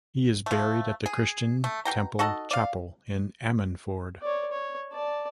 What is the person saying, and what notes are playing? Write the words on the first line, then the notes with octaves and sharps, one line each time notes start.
He is buried at the Christian Temple chapel in Ammanford.
F3 A3
G#4
A3
B2 A4 G5 A#5
D#4 F#4 A4 D#5
D5 F5
C#5 D5
C#5
D5 A5